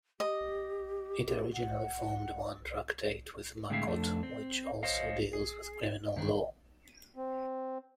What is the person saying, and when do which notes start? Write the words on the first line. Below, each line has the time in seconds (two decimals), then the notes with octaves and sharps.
It originally formed one tractate with Makkot, which also deals with criminal law.
0.20 G4 D#5
1.53 F#5
3.70 A2 D3 G#3 C4 E5 F5
3.87 F2 A3 D4
4.23 C4
4.83 C5 C#5 D#5 F5
5.33 G#4
6.16 G2 D#3 D4
7.16 C4